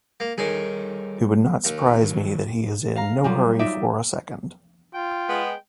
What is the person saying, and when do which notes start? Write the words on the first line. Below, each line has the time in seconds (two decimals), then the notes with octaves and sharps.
It would not surprise me that he is in no hurry for a second.
0.20 A#3
0.38 D#3 G3 G#4 A4 C#5
1.65 D#2
2.02 D#3 F#3
2.96 F5 A#5
3.24 F#3 G3 F4
3.59 D#4 D5 E5
4.94 F4 G5
5.28 G#3 B3